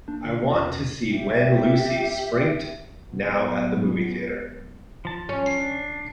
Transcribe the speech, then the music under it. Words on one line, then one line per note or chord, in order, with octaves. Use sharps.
I want to see Wenn Lucy springt now at a movie theatre.
A#3 D4
D3 A#3 F4
E2 C#4
B2
G4 E5
A2 F#3 G#3 B3
F3 A5
C#4
D4